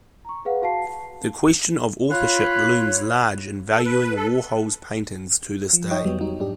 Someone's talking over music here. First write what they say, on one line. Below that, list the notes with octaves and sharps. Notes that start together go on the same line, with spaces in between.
The question of authorship looms large in valuing Warhol's paintings to this day.
A#5 C#6
G#4 B4 F5 F#5
F#4 F5 A5 C7
F4 C#5 B5 F#6
A4
B4
A4
F3
D#4 C#5 D#5 G5
F2 F#3 G3 B3
F#3 G3 D#4
G#2 D4 G4